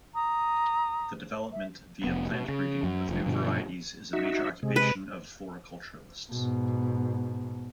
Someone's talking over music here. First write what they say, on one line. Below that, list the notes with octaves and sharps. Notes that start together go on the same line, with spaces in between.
The development, via plant breeding, of new varieties is a major occupation of floriculturists.
A#5 D#6
E5
F1 B3
B2
C#3
F#2
F1 F3
G2 B2 D3 F3
D#4 F#4 E5
C3 G#3
B4
G#2 B2